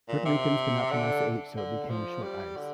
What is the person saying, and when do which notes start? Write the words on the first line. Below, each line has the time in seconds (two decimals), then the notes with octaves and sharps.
Puerto Ricans could not pronounce the 'h' so it became short eyes.
0.09 A#2
0.25 C3
0.91 D3
1.57 D3
1.90 F3
2.23 G3
2.56 D3